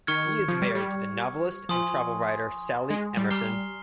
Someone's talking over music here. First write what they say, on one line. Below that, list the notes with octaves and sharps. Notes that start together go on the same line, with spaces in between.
He is married to the novelist and travel writer Sally Emerson.
D#3 C#6 F6 G#6 C#7
F3
G3
G3
F3 G#5 C6 D#6
G#3
G3
G3 A#5 F6 C7 G7